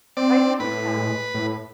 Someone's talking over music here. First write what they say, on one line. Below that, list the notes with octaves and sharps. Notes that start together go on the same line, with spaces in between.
I can tell.
C4 D5
A2 B4
A2